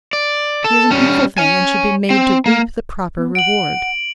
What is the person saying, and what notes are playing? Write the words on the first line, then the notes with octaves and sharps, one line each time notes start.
He is an evil thing, and should be made to reap the proper reward.
D5
A4
G3 C#4
C#5 G#5
C4
A#3
B3
F#5 D7 F#7